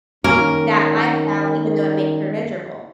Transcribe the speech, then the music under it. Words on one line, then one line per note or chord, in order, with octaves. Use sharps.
that lifestyle, even though it makes her miserable.
F#2 D#3 A#3 C#4 A#4